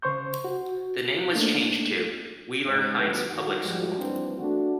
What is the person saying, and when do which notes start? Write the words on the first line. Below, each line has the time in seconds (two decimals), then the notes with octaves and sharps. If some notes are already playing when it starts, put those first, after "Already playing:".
The name was changed to Wheeler Heights Public School.
0.02 C#3 C5 C6 C#6 G6
0.44 F#4
1.35 A3 A#3 D4 D#4
2.64 G#2
2.97 D2 G2 F3 B3
3.28 D#3 F#4
3.61 G#2 F3 G3 F#4
3.97 G2 E3 A#3 C4 D4
4.38 A3 D4 F#4